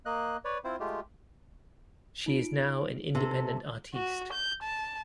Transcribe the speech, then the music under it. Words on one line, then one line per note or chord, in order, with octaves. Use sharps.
She is now an independent artiste.
A#3 D#5 F#6
B4 C#5 D5
C4 E4 F4 C5
G#3 A3 F4 G4
D#4 F4 D7
C3 A4
F#4
G6
A5